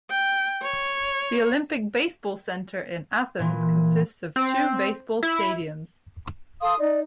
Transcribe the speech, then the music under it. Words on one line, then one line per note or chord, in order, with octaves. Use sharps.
The Olympic Baseball Centre in Athens consists of two Baseball stadiums.
G5
C#5
A#2 E3
C4
E4
A4 F5 C6 D#6
D#4 D5